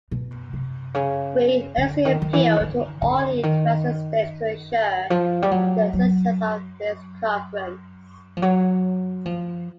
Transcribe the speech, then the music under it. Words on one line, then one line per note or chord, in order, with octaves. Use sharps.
We earnestly appeal to all interested states to ensure the success of this conference.
B2
C3
C#3
D3
D#3
D#3
E3
C#3
D3
D3
D#3
F3
G3
F#3
F#3
F3
F#3
F3